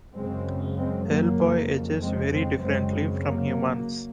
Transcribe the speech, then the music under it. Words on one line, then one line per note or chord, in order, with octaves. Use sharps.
Hellboy ages very differently from humans.
F#2 C#3 G#3 C4
G#3 C4
F#3 A#3
F2 C#3
G#3 C4
G#3 C4
F#2 C#3 G#3 C4
F#3 A#3